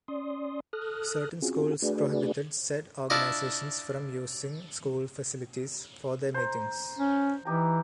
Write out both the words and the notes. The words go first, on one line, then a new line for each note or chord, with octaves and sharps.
Certain schools prohibited said organizations from using school facilities for their meetings.
C#4 D5 C6 D#6
A4 D#6 F6 F#6 A#6
C4 C#4 F4 F#4 G#4
A3 D4 F#4 G#4 B4 D5
D4 E4 F4 D5 D#5
C5 A#5
C#4
E3 D#4 G4 A#5